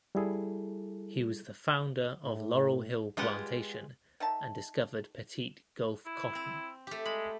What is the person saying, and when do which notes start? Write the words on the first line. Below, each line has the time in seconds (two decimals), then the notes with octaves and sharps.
He was the founder of Laurel Hill Plantation and discovered Petit Gulf cotton.
0.15 G3 E4 G#4 A4
2.25 A2
3.17 G#3 F4 G4 B4 D#5 F#5
4.20 D#3 E5 A5
6.06 E4
6.35 C4
6.87 A3 G4
7.05 G#3 B5